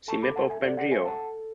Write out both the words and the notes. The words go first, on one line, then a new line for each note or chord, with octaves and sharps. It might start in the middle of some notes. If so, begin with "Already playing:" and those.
See map of Bengeo.
A4 A5 C#6
B5 D6
F#5 A5
E5 G#5
A4 D5 F#5
D5 F#5
E5 G#5
F#5 A5